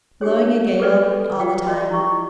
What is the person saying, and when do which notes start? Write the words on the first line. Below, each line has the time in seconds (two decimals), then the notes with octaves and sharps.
Blowing a gale all the time.
0.21 D4 G4 G#4 C#5
0.80 G4 A4 B4 D5 E5
1.40 F4 F5 G5
1.67 F#4 D5 D#5
1.91 E4 G4 C#6 D6